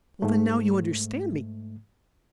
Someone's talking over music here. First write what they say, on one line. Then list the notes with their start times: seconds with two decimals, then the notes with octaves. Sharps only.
Well then, now you understand me.
0.22 G#2 A3